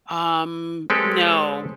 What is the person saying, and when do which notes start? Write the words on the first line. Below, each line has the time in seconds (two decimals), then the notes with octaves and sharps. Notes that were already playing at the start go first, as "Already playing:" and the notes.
Um, no.
0.90 G#3 C4 G4 A4 B4 C#5